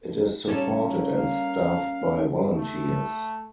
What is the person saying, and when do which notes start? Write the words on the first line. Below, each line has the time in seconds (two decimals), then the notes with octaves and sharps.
It is supported and staffed by volunteers.
0.47 G3 A#3 C#4 A4
1.14 F5
2.56 A3